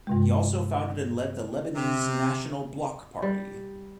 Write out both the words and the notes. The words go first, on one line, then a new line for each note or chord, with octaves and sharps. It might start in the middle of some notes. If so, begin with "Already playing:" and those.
He also founded and led the Lebanese National Bloc party.
G2 C3 G#3
C3
G3